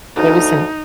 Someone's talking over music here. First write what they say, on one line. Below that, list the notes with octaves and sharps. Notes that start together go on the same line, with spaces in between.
But it was in
D2 D#4